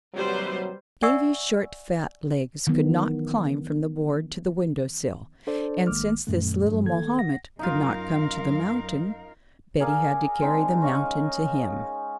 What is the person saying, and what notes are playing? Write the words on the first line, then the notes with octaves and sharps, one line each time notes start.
Davy's short fat legs could not climb from the board to the window-sill, and since this little Mahomet could not come to the mountain, Betty had to carry the mountain to him.
D#2 C3 F#3 G3 B4 C5
D5 E5 F#5 G#5 C#6 E6
D#3 E3 F#3 B3
D4 A4 C5 D5
G#1 D#3 G#3 A#3 D6 F6
F#2 A#2 D#3 A3
G2 F#3
D#3 A#3 A4 G#6
F#5 A#6
F#2 D#4 F4 A#4 F5
G#4 A#4 D5 F5
G#3 C4 D4 D#4
C#4 D#5 F5 C#6